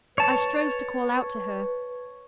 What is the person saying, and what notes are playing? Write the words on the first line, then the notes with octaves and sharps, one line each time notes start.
I strove to call out to her.
B4 C#5 A5